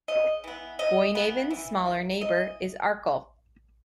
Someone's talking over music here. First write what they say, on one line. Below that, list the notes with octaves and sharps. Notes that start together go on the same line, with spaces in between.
Foinaven's smaller neighbour is Arkle.
C#3 D#5
E3 B3
C#3 D#5
E3 B3
E3
A#3
E3 D#5